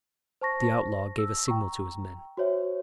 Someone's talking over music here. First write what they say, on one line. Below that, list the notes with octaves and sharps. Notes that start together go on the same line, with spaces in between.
The outlaw gave a signal to his men.
C5 A5 C#6 A#6
E6
G5 A#5 C#6
F#4 C5 C#5 E5